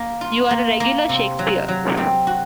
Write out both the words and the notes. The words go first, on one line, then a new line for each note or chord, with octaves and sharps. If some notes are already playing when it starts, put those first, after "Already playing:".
You're a regular Shakespeare!
Already playing: A#3
F4
A#3
A#3
C3
F#3
F#3
C4
F#4